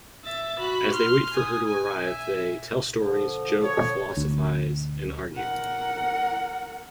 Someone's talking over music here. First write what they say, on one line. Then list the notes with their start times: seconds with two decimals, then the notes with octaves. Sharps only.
As they wait for her to arrive they tell stories, joke, philosophize, and argue.
0.24 E5 A6
0.59 F#4 B5
0.92 C6 F6
1.33 G#5 D#6
1.67 G#5
2.02 E5 G#5
2.96 D3 F3
3.63 C#5
4.17 D2
5.36 A#4 F#5